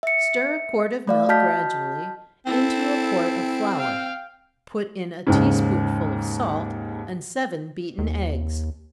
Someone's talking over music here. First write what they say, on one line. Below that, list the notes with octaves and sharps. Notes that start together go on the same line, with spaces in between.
Stir a quart of milk gradually into a quart of flour--put in a tea-spoonful of salt, and seven beaten eggs.
E5 C#7
A3 D5 F5
F#4 D#5 A5 F6 G6 B6
C4 E4 A4
F5 G5
D#2 G#2 C#3
D#2